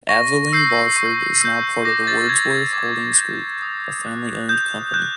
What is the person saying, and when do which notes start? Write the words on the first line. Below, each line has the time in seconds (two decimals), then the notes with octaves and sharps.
Aveling-Barford is now part of the Wordsworth Holdings Group, a family-owned company.
0.09 C#6 A#6
0.53 E6 G6 C7
0.96 C#6
1.41 E6 G6
1.85 D6 A#6
2.07 A6
2.29 G6 G#6
2.51 G#6
2.73 D6
3.17 G6
3.62 D#6
4.06 F#6
4.49 D#6 G6
4.94 F#6 G6